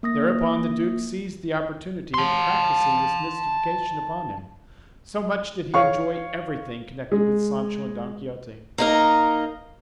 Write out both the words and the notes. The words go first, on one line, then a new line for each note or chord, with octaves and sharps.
Thereupon the duke seized the opportunity of practising this mystification upon him; so much did he enjoy everything connected with Sancho and Don Quixote.
A#3 D#6 A#6
A5 C6
C#5 F5 C#6
G#3
A#3 D#4 A#4